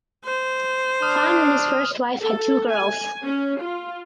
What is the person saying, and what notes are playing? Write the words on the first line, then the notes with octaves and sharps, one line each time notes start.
Fahn and his first wife had two girls.
C5
D4 D#6 F6
A4
G#5
C#4
F4